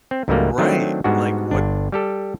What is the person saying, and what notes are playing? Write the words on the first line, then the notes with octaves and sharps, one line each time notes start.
Right. Like, what
C4
C#2 G#2 F#3 G3 A3 A#3
D#3 F#3 A3 C4 D4
G#2 G3 G#3 B3 D4 F#4
G1 D4
G3 G4 A4